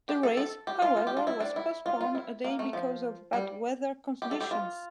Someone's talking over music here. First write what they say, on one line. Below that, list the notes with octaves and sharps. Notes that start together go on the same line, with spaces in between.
The race, however, was postponed a day because of bad weather conditions.
G4
A4
A4
G4
F4
F4
G4
F4
E4
D4
E4
F4
F4
E4
A#3
A3
F3
G3
G4
A4
G4
F4